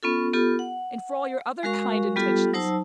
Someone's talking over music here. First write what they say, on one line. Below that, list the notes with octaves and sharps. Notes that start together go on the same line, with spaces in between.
And for all your other kind intentions!
B3 C#4 F4 A4
B3 F4 G4 A4
F#5
G#3 F#4 A#4 F5 C#6
G3 B3 F4 G4 A4
F#3 D#4 C5 A5 E6